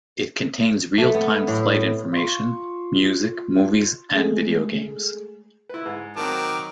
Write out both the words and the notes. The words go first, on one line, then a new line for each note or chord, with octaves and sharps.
It contains real-time flight information, music, movies and video games.
A3
B3
A2
F4 C#6
G#3 A3 G#4
E4 B4
G#2
D#3 F#3 C4 A#4 A5 D6